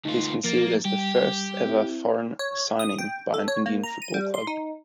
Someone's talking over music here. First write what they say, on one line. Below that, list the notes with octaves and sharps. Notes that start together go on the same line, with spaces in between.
He is considered as the first ever foreign signing by an Indian football club.
D2 D#4 F4
F3 A#3 A6
G3 G4
C4 E4
C#5
D#6
G5
A4
C#5
A#3
A#5
D#7
G3
C6
D#4